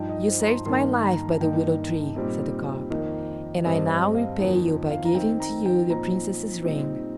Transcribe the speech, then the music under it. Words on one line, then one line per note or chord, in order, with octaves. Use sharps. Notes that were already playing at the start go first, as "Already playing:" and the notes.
"You saved my life by the willow-tree," said the carp, "and I now repay you by giving to you the Princess's ring."
Already playing: G2 F3 D#4 G5
D#5
C5
A#5
C6
G2 D#3 A#3 D#4 C6
A#5
G2 D#3 A#3 D#4 G5
A#2 G3 C4 D#4
F2 D#3 A#3 D#4
G2 G3 C4 D#5
D#5
F5
F2 D#3 A#3 D#4 D#5
F5
A#5
D#3 C4 D#4 G5
A#5
G5
A#2 F3 C4 D#4 A#5
A#2 G3 C4 D#4